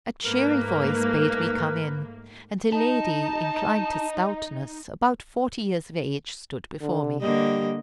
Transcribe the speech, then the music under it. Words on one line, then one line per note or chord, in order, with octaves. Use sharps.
A cheery voice bade me come in, and a lady, inclined to stoutness, about forty years of age, stood before me.
G#2 A3 A#3 A#4 B4
D#4 A5
D3
D3 G3 A#3 D#5